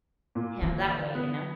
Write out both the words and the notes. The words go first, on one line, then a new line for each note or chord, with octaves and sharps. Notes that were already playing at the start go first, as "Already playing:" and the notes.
him that way, you know?
A#2
D3 E3
B3